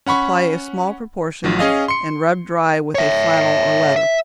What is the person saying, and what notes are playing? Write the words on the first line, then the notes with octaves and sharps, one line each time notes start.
Apply a small proportion, and rub dry with a flannel or leather.
C#4 F#5 B5 C#6
A1 F3 F#3
C#4 G#4 D#5 F5
C6 C#7
C#5 E5
E5